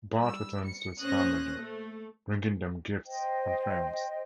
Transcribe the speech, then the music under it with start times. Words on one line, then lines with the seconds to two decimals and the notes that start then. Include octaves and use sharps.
Bart returns to his family, bringing them gifts from France.
0.17 G3 E6
0.64 C#7
1.02 A#2 C#4 C5 D#6 F#6 A#6
1.56 A3
3.06 C5 D#5 G5